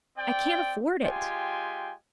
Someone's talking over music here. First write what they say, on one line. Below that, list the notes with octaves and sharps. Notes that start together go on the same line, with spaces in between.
I can't afford it.
C4 D5 G5
G#3 F4 G4 G5 G#5